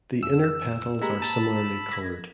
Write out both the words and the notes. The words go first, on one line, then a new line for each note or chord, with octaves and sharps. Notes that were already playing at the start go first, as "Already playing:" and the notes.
The inner petals are similarly colored.
F2 E6
G#3 A#3 G4 A#5 B5 E6
A5
G#6 A#6 B6